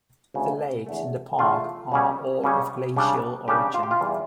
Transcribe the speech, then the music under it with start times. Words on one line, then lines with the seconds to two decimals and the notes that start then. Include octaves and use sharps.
The lakes in the park are all of glacial origin.
0.34 D2 C#3 F3
0.86 E2 D3 A3
1.39 E2 D3 A3 F4
1.92 C#3 G3 C#4
2.44 C#3 G3 C#4
2.96 C#3 G3 D4
3.48 C#3 G3 D4 G4
3.74 F4
3.83 G4
3.91 F4
4.01 E2 E3 G3